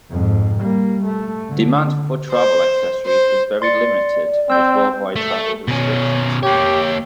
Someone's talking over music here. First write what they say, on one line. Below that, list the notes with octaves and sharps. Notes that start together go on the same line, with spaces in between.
Demand for travel accessories was very limited with worldwide travel restrictions.
F2 G#2
G3 A#3
A3
D3
C5
C5
D5 C6 A6 C#7
C4 E6 G6
A3
B2 C#4
A#3 G4 C#5